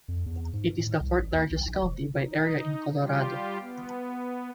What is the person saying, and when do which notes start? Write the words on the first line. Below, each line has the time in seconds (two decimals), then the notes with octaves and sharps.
It is the fourth-largest county by area in Colorado.
0.08 F2
0.26 E2
0.53 G#2
0.78 A2
1.00 C2
1.19 A1
1.33 D#2
1.51 B1
1.68 A#1
1.81 E1
2.24 D#4
3.00 G3 F4 G4
3.61 B3